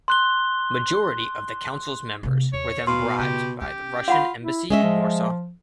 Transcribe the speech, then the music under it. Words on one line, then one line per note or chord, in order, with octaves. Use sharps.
Majority of the Council's members were then bribed by the Russian embassy in Warsaw.
C6 F#6 G7
C3 A#3
D#2 C#5
B2 F5 C6
C#3 G4
B3 C#4 G4
F4 F5 F#5 B5
E4
G#3 C#4 D#5 E5
F3